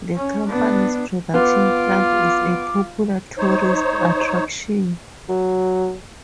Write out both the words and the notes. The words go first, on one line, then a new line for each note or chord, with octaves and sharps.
The company's production plant is a popular tourist attraction.
C#4
B3 D4
B3 F4 D6
D#4 C5 C#5
F#3